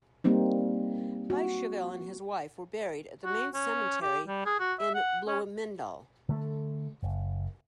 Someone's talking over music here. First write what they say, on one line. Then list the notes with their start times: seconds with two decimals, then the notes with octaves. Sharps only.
Biesheuvel and his wife were buried at the main cemetery in Bloemendaal.
0.24 G3 A#3 C4 D#4
1.30 F#4
3.24 F#4
3.54 C#4
4.02 G4
4.27 G3
4.45 G#4
4.59 F#4
4.79 E5
4.94 F#5
5.27 C#4
6.29 D3 A3
7.03 F#1